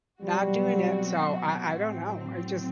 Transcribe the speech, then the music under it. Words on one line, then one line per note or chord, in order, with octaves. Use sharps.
not doing it, so, I I don't know, I just
B2 F#3 G3 C4 F#4
A2 F#3 C4